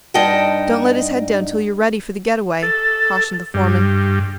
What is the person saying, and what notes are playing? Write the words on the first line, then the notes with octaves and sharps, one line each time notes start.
"Don't let his head down till you're ready for the get-away," cautioned the foreman.
G2 D#4 D#5 F#5 G5 A5
A4
G2